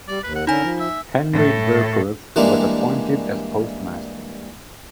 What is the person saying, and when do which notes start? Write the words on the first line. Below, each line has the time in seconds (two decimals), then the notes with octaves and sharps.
Henry Verfurth was appointed as postmaster.
0.08 G3 D5
0.23 D#2 B4
0.35 F#5
0.47 D3 C#4 D#4 A#4 G#5
0.63 F3
0.80 E5
1.32 A2 A4
2.36 E3 G3 G#3 A#3 D4